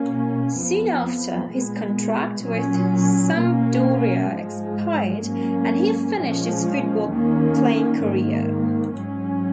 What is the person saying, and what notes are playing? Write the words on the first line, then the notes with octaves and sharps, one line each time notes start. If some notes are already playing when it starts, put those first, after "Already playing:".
Soon after, his contract with Sampdoria expired and he finished his football playing career.
Already playing: B2 A#3 C#4
F2 F3 B3
A#2 G#3 B3
A#2 F#3 C#4
B2 A#3 C#4
G#2 F3 G#3
G#2 F#3 A#3 C#4
A#2 F3 G#3 C#4
D#2 D#3 A#3 C#4
G#2 D#3 A#3
G#2 F#3 C#4